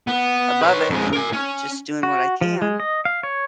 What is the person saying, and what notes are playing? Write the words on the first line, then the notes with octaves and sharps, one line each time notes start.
above it and just doing what I can,
B3
B4 C#5
F2 G#3
A#4 G#5
C#4
F#4
F3
G#3
D#5
F5
C#5